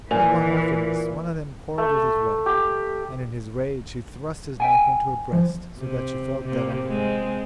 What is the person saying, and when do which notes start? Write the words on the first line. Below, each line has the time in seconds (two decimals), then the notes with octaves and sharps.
Not long after this one of them quarrelled with his wife, and in his rage he thrust his knife into her breast so that she fell dead on the ground.
0.11 A#2 E3 G#5
1.78 A3
2.46 G4
4.60 E5 G5 G#5
5.33 F3
5.78 C3
6.45 C3 A#3
6.87 G#3 C4